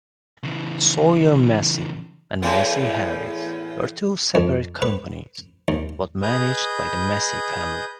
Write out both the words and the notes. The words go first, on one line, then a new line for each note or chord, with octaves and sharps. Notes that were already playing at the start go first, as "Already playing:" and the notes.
Sawyer-Massey and Massey-Harris were two separate companies, both managed by the Massey family.
C#3 E3
E2 A2 B3
F2
B4
D#2
G#4 B4 D#5 D#6 G6